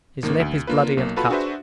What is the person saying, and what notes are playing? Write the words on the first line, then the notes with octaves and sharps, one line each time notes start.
His lip is bloody and cut.
G#1 D#3 A#3
D2
A#3 D4 F4 B4
B1 A#3
F4 F#4 A4 B4 A5 B5
D4 F#4 G#4 B4 C5 E5